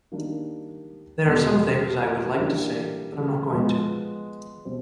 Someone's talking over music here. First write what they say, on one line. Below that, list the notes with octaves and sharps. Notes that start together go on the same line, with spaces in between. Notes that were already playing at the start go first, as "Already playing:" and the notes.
There are some things I would like to say but I'm not going to.
D#3 G3 A#3 D4
E2 B2 G3
E3 G3 A#3 D4
F3 G#3 B3
B2 G3 C4